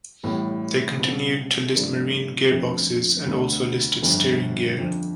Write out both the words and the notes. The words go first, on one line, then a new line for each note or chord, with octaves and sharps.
They continued to list marine gearboxes and also listed steering gear.
A1 A2 G3 B3 E4
B2 G3 C4
G2 F3 A3 D4 F4
F2 D3 A3 C4
D2 D3 A3 D4
G1 F2 D3
F2 D3 F3